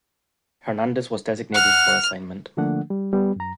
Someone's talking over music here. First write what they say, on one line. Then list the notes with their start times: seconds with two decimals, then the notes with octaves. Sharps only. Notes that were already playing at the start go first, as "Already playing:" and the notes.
Hernandez was designated for assignment.
1.54 F#5 F6
2.57 D3 F3 A3 A#3 D4 F#5
2.90 G3
3.13 G3 B3
3.36 F#2 A#5